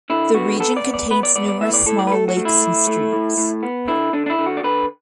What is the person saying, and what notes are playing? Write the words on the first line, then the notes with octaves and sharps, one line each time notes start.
The region contains numerous small lakes and streams.
D3 E4
B3 F#4
B3 A4
D5
B3
D5
B3 B4
D5
B3 D5
D5
A2 E5
D5
A2 A4
D5
B4
A3 A4
F#4
A3
E4
A2
A3
A2
A2
B3
D3 E4
D3 D4
D4
E4
D3
F#4
D5
D3 B4